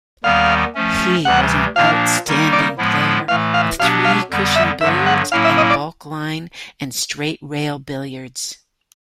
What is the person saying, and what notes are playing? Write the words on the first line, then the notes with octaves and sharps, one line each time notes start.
He was an outstanding player of three-cushion billiards and balkline and straight rail billiards.
D#2 D#3 G3 B3 F5
F3 A3 C#4
D2 C3 E3 G3 F#5
A#2 F3 A#3 D4 F5
D#3 G3 A#3 D#4
D5
A2 F3 G#3 B3 E4
A2 E3 A3 F5
F5
B2 F#3 B3 D4 G4 F5
F5
F2 D3 G3 B3
E5
G2 D3 F#3 B3 E5
F#5
A2 F#3 A#3 C#4 E4 F5
E5
D#5
D5